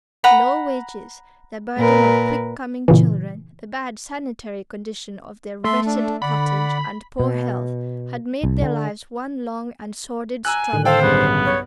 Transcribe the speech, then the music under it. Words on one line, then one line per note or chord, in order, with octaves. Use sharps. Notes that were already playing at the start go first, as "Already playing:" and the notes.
Low wages, the burden of quick-coming children, the bad sanitary conditions of their wretched cottage, and poor health, had made their lives one long and sordid struggle.
F#5 A#5 B5
A#2 A#4 B4
A#2 C#3 E3
A3 E5 C6
D4
D3 D5 F#5 B5
B2
C2
D3
G#5 A#5 E6 F#6
A2 D3 D#3
A4 C5 F5 G5
B1 G2 C#3 B3
C#5